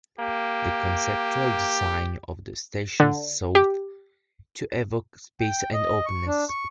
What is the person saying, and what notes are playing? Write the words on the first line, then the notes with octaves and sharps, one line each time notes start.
The conceptual design of the stations sought to evoke space and openness.
A#3 G4
D3
G4
G5
D#5
C#6
D4
C#6